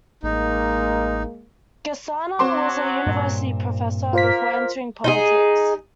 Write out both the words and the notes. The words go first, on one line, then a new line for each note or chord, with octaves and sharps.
Gasana was a university professor before entering politics.
A1 G#3 A#3 D#4
F#3 C4 C6 D6
G2 A#2
A#3 F4 A#4 C5 B6
D#4 E4 G#4